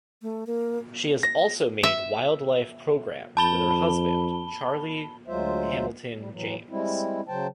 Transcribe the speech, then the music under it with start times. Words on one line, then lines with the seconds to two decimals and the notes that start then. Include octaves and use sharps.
She has also made wildlife programmes with her husband, Charlie Hamilton James.
0.22 A3
0.47 A#3
1.23 A#6
1.83 E5
3.37 F2 A5 B5 G7
5.28 D2 F#3 G#3 F4 C5 E5
6.17 G3
6.32 A2 E3 F#3
6.70 G3 G#3 C4 E4
7.28 C#3 F#3 C5 G5 A5